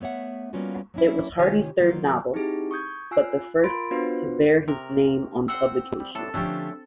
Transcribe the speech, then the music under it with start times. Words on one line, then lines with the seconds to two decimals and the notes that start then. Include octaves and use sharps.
It was Hardy's third novel, but the first to bear his name on publication.
0.01 A3 B3 C#5 E5 F#5
0.53 G3 A#3 B3 C#4 F4 F#4
0.94 F#3 A#3 C#4 D4 E4
1.39 C3 D#3 F4 G4 C#5 G#5
1.80 D#3 F#3 A#3 B3 F4
2.34 C4 D#4 E4 G4 G#4
2.71 C#6 D#6 G6 G#6
3.11 F4 G#5 E6 F#6 C7
3.64 F4 A#4 B5 C6 A6 D7
3.91 B3 D4 F4 F#4 B4 C5
4.68 C3 A#4
5.48 C4 F#5 C6 E6
6.00 G3
6.15 A2 D4 A4
6.34 D3 F3 A3 C#4 D4 G4 E6